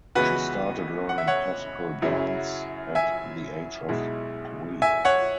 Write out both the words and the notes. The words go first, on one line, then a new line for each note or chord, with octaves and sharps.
She started learning classical dance at the age of three.
C#2 C#3 E3 B3 F#4 B4
F#5
E5
C#5 F#5
F#2 C#3 F#3 E4
E5 G#5
B1 B2 G#3 E4
E5 G#5
C#5 F#5